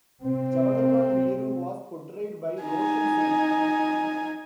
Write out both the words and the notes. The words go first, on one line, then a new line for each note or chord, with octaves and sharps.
Jawaharlal Nehru was portrayed by Roshan Seth.
C3 C4
D#4 G#5